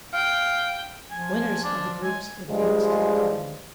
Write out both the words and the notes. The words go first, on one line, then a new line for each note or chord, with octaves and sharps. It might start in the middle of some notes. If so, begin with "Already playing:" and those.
Winners of the groups advanced to the final.
F5 G5
F3 G#5
D4
G#3 G#5
G2 F3 G3 G#3